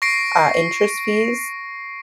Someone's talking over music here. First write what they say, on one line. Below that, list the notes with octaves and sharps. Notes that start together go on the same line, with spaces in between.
uh, interest fees,
C#6 A#6 C7 D7